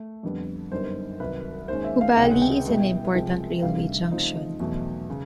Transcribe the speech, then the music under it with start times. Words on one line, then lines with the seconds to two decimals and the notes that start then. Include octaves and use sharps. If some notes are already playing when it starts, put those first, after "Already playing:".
Hubballi is an important railway junction.
Already playing: A3
0.23 F2 D3 G3 B3
0.72 F#2 D3 G3 B3 D#4 C5
1.20 C2 C3 D#3 F#3 B4
1.68 D#2 D#3 G#3 C#4 C5
1.84 E5
2.01 F5
2.17 C#2 C3 D#3 G#3 C#4 F#5
2.24 G5
2.31 F#5
2.42 G5
2.66 B2 G3 B3 E4
3.14 C2 C3 F3 G#3
3.62 D2 C3 D#3 G3 F5
4.11 C#3 F3 A3 C4 D#4
4.60 E2 B2 F#3 A3
5.10 C#3